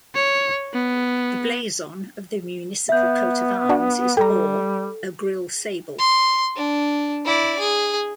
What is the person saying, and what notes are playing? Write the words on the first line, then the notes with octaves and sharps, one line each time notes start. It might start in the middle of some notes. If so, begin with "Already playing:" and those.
The blazon of the municipal coat of arms is Or, a Grill Sable.
C#5
B3
B3 E5 G6
D4 F#4
G3 A4 G5 A#5
C6
D4
E4 D5
G#4